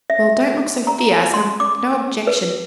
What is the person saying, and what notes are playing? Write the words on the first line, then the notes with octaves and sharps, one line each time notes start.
'Well, don't look so fierce; I've no objection.
E5
A#5
C6
D6
B4